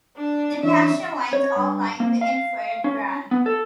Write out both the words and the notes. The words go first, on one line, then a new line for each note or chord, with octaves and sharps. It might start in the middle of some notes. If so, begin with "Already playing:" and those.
The Paschen lines all lie in the infrared band.
D4
E3 C#4 D4 E5
C#5
G2
A#3
F5
C#4
B3
A4